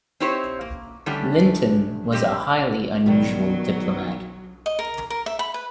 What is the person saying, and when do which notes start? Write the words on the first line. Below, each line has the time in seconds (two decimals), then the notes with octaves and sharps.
Linton was a highly unusual diplomat.
0.20 C4 D#4 E4 G4 C5 C#5
0.61 A#3
1.06 D3 G3 A3 C#4 D4 G4
2.12 G3 C4 G4 D#5
3.06 B2 D#3 F#3 G3
4.66 D#5
4.79 A#4
5.10 A#4
5.26 E5
5.39 B5
5.54 B4